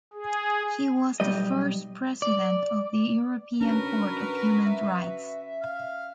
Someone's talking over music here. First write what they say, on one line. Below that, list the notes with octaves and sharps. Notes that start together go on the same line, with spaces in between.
He was the first President of the European Court of Human Rights.
G#4
B1 G3 D#5
D5
C#4 D4 F#4 A#4 B4
E5
F5